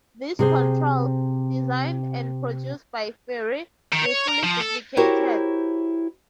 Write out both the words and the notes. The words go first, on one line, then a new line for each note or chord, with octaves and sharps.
These controls, designed and produced by Fairey, were fully duplicated.
C3 G#4 C5
D#3
C#5
A#4
F3
A4
E4 F#4 G4 A#4 C5 C#5